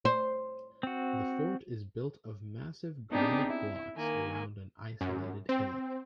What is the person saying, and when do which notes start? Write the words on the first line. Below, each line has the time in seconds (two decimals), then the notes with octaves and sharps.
The fort is built of massive granite blocks around an isolated hillock.
0.05 C5
0.83 C4 F#4
3.11 B3 C4 D4 D#4 G4 G#4
3.48 E4
3.95 D#3 A#3 G#5
5.01 F#2
5.49 C4